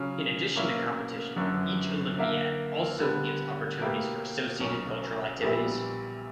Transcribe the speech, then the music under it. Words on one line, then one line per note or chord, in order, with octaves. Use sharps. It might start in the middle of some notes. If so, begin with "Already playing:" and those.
In addition to competition, each Olympiad also gives opportunities for associated cultural activities.
Already playing: C#3 F#3 C#4
B2 A#3 C#4 E4
G1 F#2 D3 F#3 C#4
D3 A#3 E4 A#4 E5
D3 G3 B3
B2 A#3 E4 G4 B4
B1 B2 F#3 C#4
A#1 A#2 G3 B3 E4